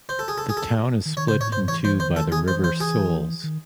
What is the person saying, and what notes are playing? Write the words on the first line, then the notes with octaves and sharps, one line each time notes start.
The town is split in two by the river Seulles.
C5
A4
G#4
A4
G#4
A4
D#3
D#3 C#5
C#3 C5
A2 C#5
G#2 C5
E3 C#5
E3 C5
D#3 C5
A4
G#4
E3 C5
C5
G#4
D#3